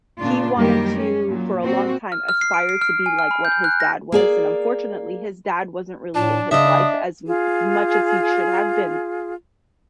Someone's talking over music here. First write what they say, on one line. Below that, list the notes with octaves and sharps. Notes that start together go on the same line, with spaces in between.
he wanted to, for a long time, aspire to be like what his dad was, and unfortunately his dad wasn't really in his life as m much as he should have been.
A#2 C#3 D4 F4
F#2 D#3 G3 A#3 G4 A#4
C#4
A#2 F#3
A#3 C4 F#4
F6
F6
C7
D7
C7
F6
G#5
F6
B5
G6
F#6
A#6
A#3 G#4 D5
A2 D4 A5
C#3 D4 D#5 E5 D#6
F4 G#4